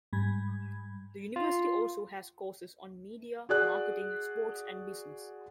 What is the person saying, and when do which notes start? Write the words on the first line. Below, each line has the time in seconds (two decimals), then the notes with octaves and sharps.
The university also has courses on media, marketing, sports and business.
0.13 G#2 G3 B5 G#6
1.36 F4
3.49 F#4 G#4 D5 F#6